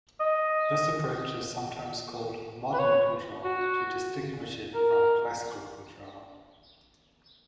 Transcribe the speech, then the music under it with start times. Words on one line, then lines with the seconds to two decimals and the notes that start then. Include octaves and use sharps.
This approach is sometimes called "modern control" to distinguish it from "classical control".
0.20 D#5
2.73 B4
2.79 C#5
3.44 F#4
4.74 A#4